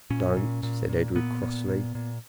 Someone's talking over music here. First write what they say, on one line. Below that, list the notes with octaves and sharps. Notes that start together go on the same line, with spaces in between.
"Don't!" said Edred crossly.
A#2 C#4
A#2
A#2
A#2
A#2 B3
A#2
A#2
A#2